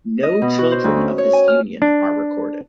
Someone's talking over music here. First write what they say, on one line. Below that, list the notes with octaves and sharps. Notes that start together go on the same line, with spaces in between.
No children of this union are recorded.
D#5
B2
F#4
C5
D2
C#4
C#5
G#5
F6
D4